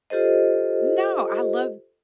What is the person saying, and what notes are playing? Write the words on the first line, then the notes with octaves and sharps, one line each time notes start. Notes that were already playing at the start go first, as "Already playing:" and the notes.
No, I love
F4 G4 A4 C5 D#5